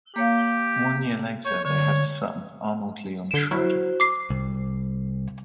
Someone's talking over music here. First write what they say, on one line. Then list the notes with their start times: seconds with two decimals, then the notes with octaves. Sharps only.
One year later they had a son, Arnold Leon Schroeder.
0.16 A#3 G4 C#5 F5
1.46 C#5 G6
1.65 D3 C#5
3.31 D3 D7 E7 G7
3.51 F#3 E4 F#4 C5
4.00 D6 C7
4.30 C2